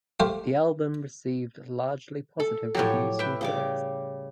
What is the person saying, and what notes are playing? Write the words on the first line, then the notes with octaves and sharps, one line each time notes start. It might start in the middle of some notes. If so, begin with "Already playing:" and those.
The album received largely positive reviews from critics.
A3 G4 C5 F5
A4
A2 F3 F#3 G4 C#5
B4 E5 G5
C#3 G3 D6